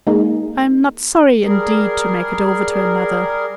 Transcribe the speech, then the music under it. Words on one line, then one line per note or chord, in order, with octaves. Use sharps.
I am not sorry, indeed, to make it over to another.
G#3 A#3 D#4
G3 G#4 A#4